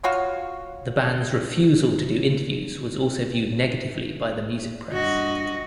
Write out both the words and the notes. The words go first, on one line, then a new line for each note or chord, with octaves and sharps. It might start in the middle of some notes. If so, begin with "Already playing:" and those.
The band's refusal to do interviews was also viewed negatively by the music press.
F4 F#4 C#5 F5
G2 F#4 D#5